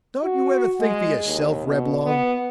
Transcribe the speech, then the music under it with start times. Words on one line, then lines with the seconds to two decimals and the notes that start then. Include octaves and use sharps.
Don't you ever think for yourself, Reblong?
0.24 F#4
0.79 G#3
1.26 D#2
1.67 B2
2.05 B3